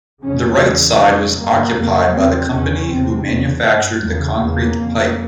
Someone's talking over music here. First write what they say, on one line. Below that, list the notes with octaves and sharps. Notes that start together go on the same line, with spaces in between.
The right side was occupied by the company who manufactured the concrete pipe.
F2 C#3 C#4
E2 C#3
F2 C#3
G2 A#3
F2 C#3 A#3
E2 C#3 C4
E2 C#3 C#4
E2 C3 C4
E2 C#3
G2
E2 C#3
E2 C#3 A#3
F2 C#3